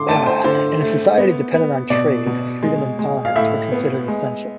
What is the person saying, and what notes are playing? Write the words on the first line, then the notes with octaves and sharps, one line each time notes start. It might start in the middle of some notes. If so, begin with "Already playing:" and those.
In a society dependent on trade, freedom and tolerance were considered essential.
Already playing: D3 C6 D6
A3 A5
C5
D3 C5
A3
B3
B3
B2 D5
B2
G#3
G#3
F5
A2 E5
B3
G#3